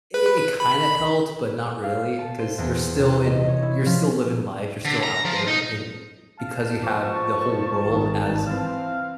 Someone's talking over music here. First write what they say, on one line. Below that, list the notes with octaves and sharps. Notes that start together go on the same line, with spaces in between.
it it kinda helped but not really 'cause you're still in you're still living life, you're still out there. And because you have the whole world as
B4
B5
F5
A5
C5
E2
C3
D#5
C#5
E4
F3
D3
A#5
F3
D#4
F5 A5
F3 C#6
G#1 D#3
E3 C4 F5